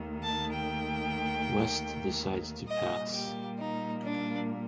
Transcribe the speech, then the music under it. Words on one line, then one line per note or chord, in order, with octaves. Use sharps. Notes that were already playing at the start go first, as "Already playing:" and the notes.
West decides to pass.
Already playing: D#2 D#3 A3
A5
G5
A#2 G3 A#3 D#5
G4
D#4
D4